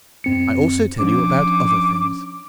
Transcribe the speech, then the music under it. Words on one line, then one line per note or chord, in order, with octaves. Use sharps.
I also tell you about other things.
F#2 C4 C#7
F3 C#4 D4 D6